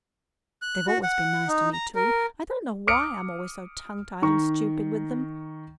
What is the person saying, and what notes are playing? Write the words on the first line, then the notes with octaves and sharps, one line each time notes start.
They've always been nice to me, too--I don't know why I am always so tongue-tied and stupid with them.
F#6
F#4
F#5
D#4
A#5
A#4
D6 D#6 F6 C#7 D7
D#3 A#5 C#6